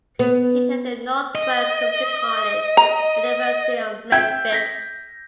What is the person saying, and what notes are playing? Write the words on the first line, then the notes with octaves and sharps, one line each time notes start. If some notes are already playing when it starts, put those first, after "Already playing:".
He attended Northwest Community College and the University of Memphis.
B3
D#5
A#5
E5 G5 G6 G#6
A#6 B6